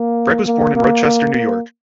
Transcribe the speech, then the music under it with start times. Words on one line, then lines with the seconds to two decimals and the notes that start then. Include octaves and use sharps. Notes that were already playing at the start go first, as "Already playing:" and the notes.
Breck was born in Rochester, New York.
Already playing: A#3
0.47 A#3
0.76 A#3
1.05 A#3
1.34 A#3